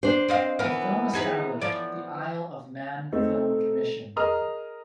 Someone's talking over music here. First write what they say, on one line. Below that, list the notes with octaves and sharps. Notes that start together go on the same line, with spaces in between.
The film established the Isle of Man Film Commission.
D4 C5
C4 D#5 F5
E3 B3 A#4
D#4 G#4 B4
F3 D5
A3 C4 D#4 A4
G#4 A#4 D#5 A#5 D#6 F6